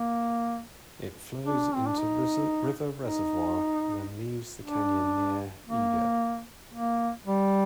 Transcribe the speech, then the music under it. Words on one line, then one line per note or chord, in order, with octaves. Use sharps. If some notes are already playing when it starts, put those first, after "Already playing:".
It flows into River Reservoir, then leaves the canyon near Eagar.
Already playing: A#3
D4
C4
D4
D#4
D#4
D4
A#3
A#3
G3